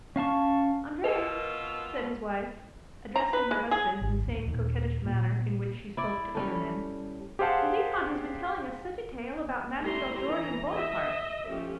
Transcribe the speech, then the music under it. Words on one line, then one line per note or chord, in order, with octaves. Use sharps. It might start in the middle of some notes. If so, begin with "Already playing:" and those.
"Andre," said his wife, addressing her husband in the same coquettish manner in which she spoke to other men, "the vicomte has been telling us such a tale about Mademoiselle George and Buonaparte!"
C#4 F5 A5 C#6
B2 B3 F4 A#4 B4 D#5 E6
A#5
B4
G#3
G#4
G#1
D1
D#1
A#2
E4 D5
G3 C#4 A4
G4 G#4 C5 F5 F#5 A5
G3 A3 E4 A#5 C6
E3 A#5
D#5 E5
F3 A3 C#4 G4